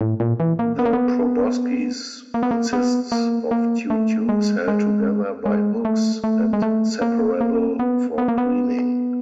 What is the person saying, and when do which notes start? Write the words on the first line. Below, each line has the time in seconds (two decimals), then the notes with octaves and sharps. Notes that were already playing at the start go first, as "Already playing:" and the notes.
The proboscis consists of two tubes held together by hooks and separable for cleaning.
0.01 A2
0.20 A#2
0.40 E3
0.59 A#3
0.79 B3
0.86 A#3
0.93 B3
2.34 A#3
2.43 B3
2.51 A#3
2.73 B3
3.12 A#3
3.51 A#3
3.90 A3
4.29 G#3
4.68 G#3
5.46 G#3
5.85 A3
6.24 A3
6.53 G#3
6.62 A3
7.01 A#3
7.41 A#3
7.79 B3
8.18 B3
8.28 A#3
8.38 B3